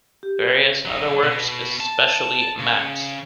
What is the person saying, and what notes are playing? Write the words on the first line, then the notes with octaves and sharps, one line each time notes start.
Various other works, especially maps.
G4
F#3 D#4
B2
A5
C#3